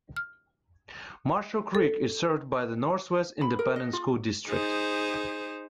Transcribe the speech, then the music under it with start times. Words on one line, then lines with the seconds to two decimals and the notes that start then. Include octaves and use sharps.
Marshall Creek is served by the Northwest Independent School District.
0.16 F6
1.75 A4
3.41 B5
3.59 A#4
3.76 D#5
3.93 F4
4.48 D#4 G#4 C5